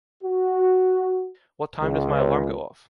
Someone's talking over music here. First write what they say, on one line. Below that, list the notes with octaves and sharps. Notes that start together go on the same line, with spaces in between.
What time does my alarm go off?
F#4
C#2